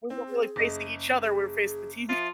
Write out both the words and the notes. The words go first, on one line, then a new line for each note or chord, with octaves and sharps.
we weren't really facing each other, we were facing the TV.
C4 E4
G#4
F#1 D#5
G#4
F3 F4 E5